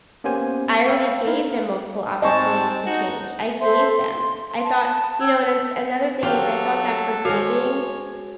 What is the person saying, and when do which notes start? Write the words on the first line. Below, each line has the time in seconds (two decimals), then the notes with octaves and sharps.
I already gave them multiple opportunities to change. I gave them. I thought you know, and an another thing is I thought that forgiving
0.24 A#3 B3 C#4 G4 C5 G#5
0.87 E5 F5 G5 B5
1.27 D#4 E4 F5
2.22 G#2 C4 D#5 G#5 A5 C#6
2.86 D#4 F#4
3.61 A4 C5 E5 C6
3.88 C6
4.63 A5
5.20 G5 E6 G#6
6.23 F#3 F4 G4 A4 C6
7.25 G#3 F#4 C5 C#5 F5